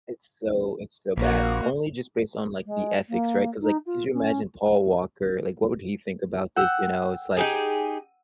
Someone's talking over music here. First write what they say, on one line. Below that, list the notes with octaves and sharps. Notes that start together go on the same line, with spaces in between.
It's so it's so bad, only just based on, like, the ethics, right? 'Cause, like, could you imagine Paul Walker, like, what would he think about this, you know? It's like,
A#1 A#3 F#4
G#3
A#3
D#4
F4
C#4
F#5 G5 E6
D#4 G4 G#4